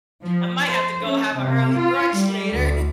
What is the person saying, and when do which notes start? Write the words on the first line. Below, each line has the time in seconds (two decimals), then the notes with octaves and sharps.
I might have to go have an early brunch later.
0.23 F3
0.64 C5
1.03 C#4
1.36 C3
1.75 F4
2.14 G3
2.52 D2